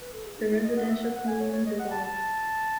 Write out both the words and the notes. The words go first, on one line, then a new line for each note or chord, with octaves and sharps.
The residential commune dissolved.
B4
A4
G#4
D#4
E4
D#5
F#5
E5
F#5
F#5
G#5
C#5
C#5
D#5
F#5
A5
A5